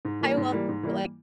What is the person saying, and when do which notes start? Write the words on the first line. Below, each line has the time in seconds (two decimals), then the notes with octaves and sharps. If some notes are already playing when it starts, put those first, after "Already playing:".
love, like,
0.05 G#2
0.21 E3 G3 A#3
0.37 G#2
0.52 E3 G3 A#3
0.69 G#2
0.83 E3 G3 A#3